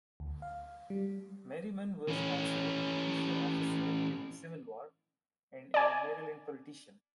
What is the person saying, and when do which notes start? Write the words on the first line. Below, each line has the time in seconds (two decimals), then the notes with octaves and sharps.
Merryman was also a militia officer during the Civil War, and a Maryland politician.
0.20 D2
0.42 F5
0.90 G3
2.08 E3 C#4
5.74 D5 G#5